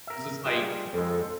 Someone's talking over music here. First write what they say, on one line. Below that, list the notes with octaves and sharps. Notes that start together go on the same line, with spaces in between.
'cause it's like
A#4 E5
G3 F4 G#4
F2 F3 G#3 A4